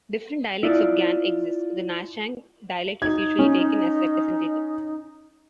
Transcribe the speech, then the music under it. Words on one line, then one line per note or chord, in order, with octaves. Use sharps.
Different dialects of Gan exist; the Nanchang dialect is usually taken as representative.
E4 F4 D5
D#4 G#6
C#4